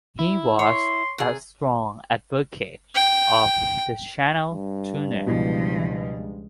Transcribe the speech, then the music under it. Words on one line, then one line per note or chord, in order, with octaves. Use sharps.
He was a strong advocate of the Channel Tunnel.
E4
C#5 C6
C3 G#4
G5
G2
C#2 B2 E3 F3 G#3